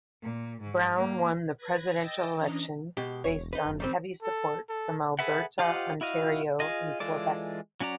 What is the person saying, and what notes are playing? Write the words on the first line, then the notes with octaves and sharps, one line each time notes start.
Brown won the presidential election based on heavy support from Alberta, Ontario and Quebec.
A#2
G#2
A#3
B4 G#6 A#6
D#5 G5 E6 A6 A#6
E3 C#4 D4 D#5 A#5 D#6
B2 G#3 G4
E1 C#5
D#4 B4
F#1
D#3 G3 C4
A4
A4
G#4 A4 B4 E5 F#5
F4 G4 C5 D#5 F#5
E4 F#4 D#5 F5
F4 G#4 D#5
E3 G#3 F4 A4 D5
F#3 C#4 F#4 D5 A#5